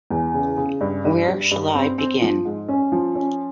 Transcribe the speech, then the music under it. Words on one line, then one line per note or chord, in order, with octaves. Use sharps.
Where shall I begin?
E2
C#3
C#3
G2
G2
G2
G2
C4
C4
F3
G#2
C#4
F3
C#4